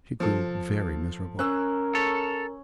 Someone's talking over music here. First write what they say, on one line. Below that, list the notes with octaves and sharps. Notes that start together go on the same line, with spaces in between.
She grew very miserable.
F3 A4
C#4 A#4 E6 F#6
A4 C#5